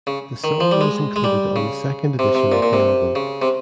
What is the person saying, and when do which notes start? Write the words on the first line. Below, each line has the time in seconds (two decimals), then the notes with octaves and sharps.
The song was included on the second edition of the album.
0.07 C#3
0.44 D#3
0.60 F3
0.71 G3
0.81 G#3
1.16 G#3
1.24 G3
1.56 C#3
2.19 C3
2.35 C3
2.52 A#2
2.62 A#2
2.73 C3
3.15 C#3
3.42 C3